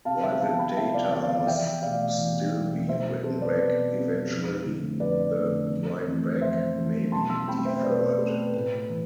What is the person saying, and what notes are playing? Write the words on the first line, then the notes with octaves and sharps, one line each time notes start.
While the data must still be written back eventually, the write-back may be deferred.
C3 F5 A5
E5 G5
F3 B3 F5 A5
G5 B5
A5
C3 E5 G5
D5 F5
F3 B3 D5 F5
D5 F5
E2 E5 G5
B2 A3 D5 F5
E2
B2 A3
B2 C5 E5
G3 C4 A4 C5
B4 D5
B2 B4
G3 C4
F2
D3 A3
F2 B4 D5
D3 A3
F2
E3 A3 C4
F2 C5 E5
E3 A3 C4
B2 A5 C6
C6 E6
A3 C4 G5 B5
C5 E5
B2 B4 D5
B4
A3 C4 A4
B4
A2 B4
E3